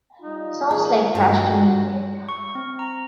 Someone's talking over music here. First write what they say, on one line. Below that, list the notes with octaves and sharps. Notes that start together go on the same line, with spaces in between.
Sounds like trash to me!
G3 D#4 F4
D#3 G#4
G2 F#4
C#6
C4
A#5